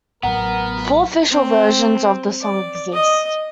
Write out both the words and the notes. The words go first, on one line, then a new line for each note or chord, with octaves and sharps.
Four official versions of the song exist.
A1 A2 F#3 B3 A#4 F#5 A#5
C4
D5
D#5